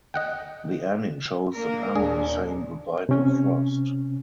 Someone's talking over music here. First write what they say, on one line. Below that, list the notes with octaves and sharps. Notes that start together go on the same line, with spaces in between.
The ending shows the family saying goodbye to Frost.
D#5 F#5 G5
A#3 D4 A#4
D#2 A#2 D4 G#4
C3 C#4